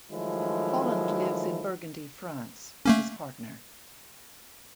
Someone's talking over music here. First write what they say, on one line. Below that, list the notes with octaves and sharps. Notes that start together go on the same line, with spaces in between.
Holland lives in Burgundy, France with his partner.
D#3 F3 F#3 G#3 A3 E4
A3 A#3 C#4